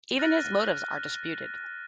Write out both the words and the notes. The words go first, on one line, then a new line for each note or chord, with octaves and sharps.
Even his motives are disputed.
F6 F#6 A6 A#6 D#7